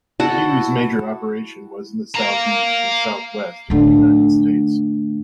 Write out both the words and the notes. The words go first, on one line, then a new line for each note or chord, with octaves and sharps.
Hughes major operation was in the Southeast and Southwest of the United States.
E4 F#4 A4 F#5
F5 A#5
A2 D3